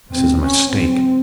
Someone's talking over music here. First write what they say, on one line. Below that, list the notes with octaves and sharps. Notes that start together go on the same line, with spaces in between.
This is a mistake.
F1 E2 B2 C4
C#4
G#1 F#2 C#3 C4